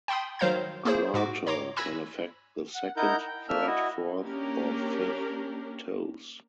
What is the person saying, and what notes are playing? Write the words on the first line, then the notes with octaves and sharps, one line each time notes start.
Claw toe can affect the second, third, fourth, or fifth toes.
G5 A5 B5 C6 D#6
D#3 F#3 C5 F5 A#5 G6
A#3 E4 G#4 C5
G#2 F#4 D6
C#5 A#5 C6 D6
G#5 B5 E6 F#6 G#6 A#6
F#5
D#4 E4 A#4 F#5 G6
G5
A#3 D4 E5 E6 F6
E4 F#4 D#5
A#3 C#4 D4 G4 A#4